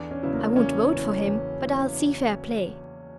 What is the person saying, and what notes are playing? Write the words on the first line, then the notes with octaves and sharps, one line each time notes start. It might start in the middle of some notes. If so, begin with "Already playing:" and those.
I won't vote for him; but I'll see fair play.
Already playing: E2 D4
C#4
C#3 F#3 B3 E4
A#3
E2 C#4
C#3 F#3 B3 E4
E2
C#3 F#3 B3 E4